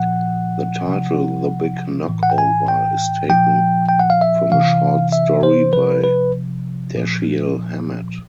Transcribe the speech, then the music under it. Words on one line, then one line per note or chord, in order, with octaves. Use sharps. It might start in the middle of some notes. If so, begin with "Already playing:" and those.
The title, "The Big Knockover," is taken from a short story by Dashiell Hammett.
Already playing: A#2 F3 F#5
C3 F3
A2 E3
F#5
G5
G#5
G5
A#2 F3 G5
G5
F#5
F5
E5
C3 E3 F5
E5
C5
C3 F3 B4
B4
A#2 F3